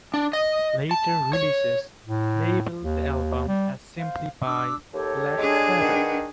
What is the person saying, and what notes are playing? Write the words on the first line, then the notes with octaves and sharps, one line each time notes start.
Later releases label the album as simply by "Black Sabbath".
D4
D#5
A5
C#5
A2
D#2
G3
C5 F5
D4 D6 E6
D#2 G4 A4 C#5
G#3 D4 G#4
D#3 B4 F#5